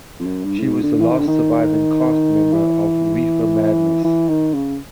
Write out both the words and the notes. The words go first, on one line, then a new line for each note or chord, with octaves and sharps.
She was the last surviving cast member of "Reefer Madness".
F2
F#2
G2
A2
G#2
D3
E3
D#3
D3
D#3
E3
E3
D#3
C#3